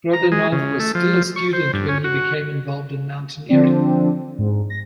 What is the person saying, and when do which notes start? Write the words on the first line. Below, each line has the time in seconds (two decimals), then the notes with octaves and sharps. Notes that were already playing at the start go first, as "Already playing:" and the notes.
Prodanov was still a student when he became involved in mountaineering.
0.13 A#5
0.32 G#3
0.52 C#3
0.80 A3
0.95 F3
1.36 C#6
1.53 C5
1.73 G2
1.88 C#4
2.04 F#4
3.49 D3 F3 C4 D4
4.38 G#2
4.70 A#6